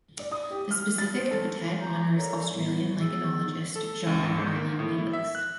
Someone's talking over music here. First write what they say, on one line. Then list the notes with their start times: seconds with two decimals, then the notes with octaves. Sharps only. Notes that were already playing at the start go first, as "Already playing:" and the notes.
The specific epithet honours Australian lichenologist John Alan Elix.
0.19 D5
0.32 D#6
0.51 G4
0.71 F6
0.98 A6
1.17 C5
1.31 A4
1.80 A#5 G6
2.16 A4 A#4 C#5 D5 A#5
2.50 A2 G3 A3 B3 E4
3.00 B3 G#4 E6 A6
3.76 A4
4.07 C#2
4.23 G#1
4.38 G#2
4.56 A#3
4.79 A2
4.98 E4
5.13 E5
5.35 F#6